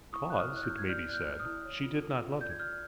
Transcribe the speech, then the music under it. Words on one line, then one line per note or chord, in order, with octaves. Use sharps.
Because, it may be said, she did not love him.
E4 C#6 D#6
C#5 F#6
D#6 F6
E4
F#6
F6 G6
E4
G#6
D5 F6 G6
D5 F#6
F6 G6
D5
D#6 F6
E4
C#5
F4
A4
F4
D5 G6
G#6
D5 F6 G6